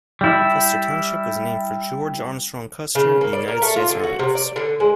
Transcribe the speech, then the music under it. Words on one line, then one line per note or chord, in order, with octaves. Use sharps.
Custer Township was named for George Armstrong Custer, a United States Army officer.
G3 E4
C#3
A#3
D5
A#4
A3
F4
D3
F#4
C3
D5
D3
G#3